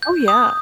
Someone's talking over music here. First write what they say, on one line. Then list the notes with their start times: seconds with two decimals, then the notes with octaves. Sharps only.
Oh, yeah.
0.03 G6
0.28 D#6